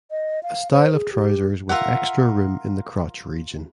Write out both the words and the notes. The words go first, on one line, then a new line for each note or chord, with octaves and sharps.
A style of trousers with extra room in the crotch region.
D#5
F5
C5
G#4
G4
F4 A#4 E5 F#5